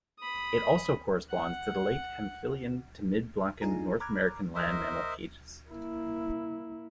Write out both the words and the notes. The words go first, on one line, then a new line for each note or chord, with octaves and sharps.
It also corresponds to the late Hemphillian to mid-Blancan North American Land Mammal Ages.
B5 D#6
F#5
D4 D#4 F4 G#4 G#5 A#5
A#5 B5 D6 F6 F#6 G#6
A#4 C5 D#5 E5
A#3 E4